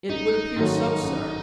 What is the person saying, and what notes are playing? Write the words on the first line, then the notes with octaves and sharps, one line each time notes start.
"It would appear so, sir."
A1 D#4
G#2 D#3 F#3 A3
A1